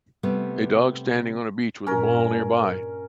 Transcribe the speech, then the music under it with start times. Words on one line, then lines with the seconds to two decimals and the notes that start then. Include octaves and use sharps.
A dog standing on a beach with a ball nearby.
0.23 C3 G3 A3 B3
1.87 G2 A#2 C#4 A#4